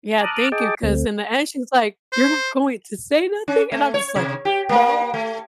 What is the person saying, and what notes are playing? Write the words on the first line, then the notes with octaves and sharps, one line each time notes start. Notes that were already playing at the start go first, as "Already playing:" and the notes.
Yeah, thank you, 'cause in the end, she's like, "You're not going to say nothing?" And I'm just like, "No."
A5 A#5 D6 D#6 F6 F#6
G#4 D#5 G5 A5 D6
D2 A3 C4
C5
C#4
A3
C#5
C3
G4
A#3
A3